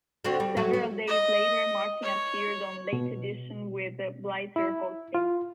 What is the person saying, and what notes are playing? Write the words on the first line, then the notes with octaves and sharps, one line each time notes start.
Several days later Martin appeared on "Late Edition," with Blitzer hosting.
D3 C4 F#4
G3
F#3 A3 F#4
F#3
D#5
C#5
B2
E4
F4